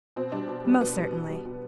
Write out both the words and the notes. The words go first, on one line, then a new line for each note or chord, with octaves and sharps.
"Most certainly."
B2 C4
G3 D4
B2
G3
B2 B3
G3
B2
G3
B2